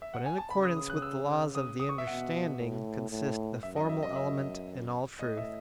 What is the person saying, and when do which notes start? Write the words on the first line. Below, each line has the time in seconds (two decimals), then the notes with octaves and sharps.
But in accordance with the laws of the understanding consists the formal element in all truth.
0.02 E5
0.14 F#5
0.26 G#5
0.38 A5
0.50 C#3 B5
0.63 D#6
0.77 D#6
0.90 F#6
0.96 D#6
1.02 E6
1.55 D#6
1.80 D#6
1.89 C#6
1.98 E5
2.07 B2 F#5
2.59 A2
3.10 A2
3.63 F#2 E5
3.76 D#5
3.89 E5
4.03 D#5
4.16 E5
5.19 A2 D#5
5.37 E5